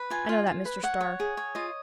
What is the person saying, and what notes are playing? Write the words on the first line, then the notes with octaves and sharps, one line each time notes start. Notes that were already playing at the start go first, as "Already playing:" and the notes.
"I know that, Mr. Starr."
Already playing: B4
F4 G#5
F4
F4
B4
C#5 F#5
C#5
G#4
C#5
F4 D#5